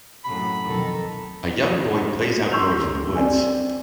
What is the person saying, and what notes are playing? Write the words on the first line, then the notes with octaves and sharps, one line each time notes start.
A young boy plays outdoors in the woods.
F#2 A2 C3 B5
B1 F2 D#3 A4 A#4
C6 C#6 E6 G6 F7
C4 D5 G#5